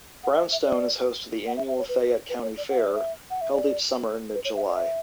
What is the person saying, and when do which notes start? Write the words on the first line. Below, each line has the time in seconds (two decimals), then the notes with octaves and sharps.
Brownstown is host to the annual Fayette County Fair, held each summer in mid-July.
0.23 F#5
0.32 D5
0.38 E5
0.52 E5
0.64 D5
1.47 F#5
1.57 E5
1.68 E5
1.79 C#5
1.88 B4
2.29 B4
2.42 C#5
2.57 D5
2.70 F#5
2.78 E5
2.86 D5
2.94 E5
3.30 F#5
3.41 E5
3.53 D5
4.34 B4
4.45 C#5
4.56 E5
4.69 D5
4.75 E5